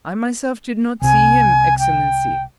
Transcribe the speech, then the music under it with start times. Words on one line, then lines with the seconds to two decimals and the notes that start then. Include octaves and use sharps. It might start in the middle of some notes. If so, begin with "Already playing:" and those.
I myself did not see him, Excellency.
1.02 C2 C3 G#5
1.79 G5